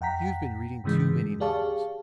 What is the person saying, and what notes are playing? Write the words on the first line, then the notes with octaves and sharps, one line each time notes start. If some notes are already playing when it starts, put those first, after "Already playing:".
You've been readin' too many novels.
F2 F#5 G5 A#5 B6
G#2 C#3 E3 G#3
G4 G#4 D5 F5 A5 C#6